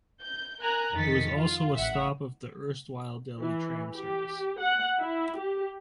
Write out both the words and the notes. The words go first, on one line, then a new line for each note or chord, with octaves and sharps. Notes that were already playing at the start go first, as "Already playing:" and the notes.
It was also a stop of the erstwhile Delhi Tram Service.
G6
A#4 G#5 A#5 F#6
F2 D#3 D#5 A6 B6 C#7
F4
A1 E5 F#5
E3
G4
F#5
E4
G4